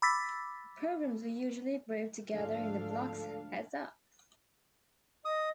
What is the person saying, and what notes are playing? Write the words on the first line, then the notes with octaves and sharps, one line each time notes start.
Programs were usually grouped together in the blocks Heads Up!
B5 D6 E6 A6 B6
D2 G#2 F3 D4 A4 F5
D#5 D#6